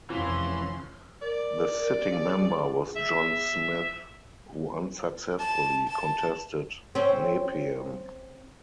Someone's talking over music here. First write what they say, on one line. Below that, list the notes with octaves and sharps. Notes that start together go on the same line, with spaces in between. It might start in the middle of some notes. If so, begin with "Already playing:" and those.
The sitting member was John Smith who unsuccessfully contested Nepean.
F1 E3 F3 C#4 F4 C6
A#4 D5
G#4
E5
A5
A5
C4 C#4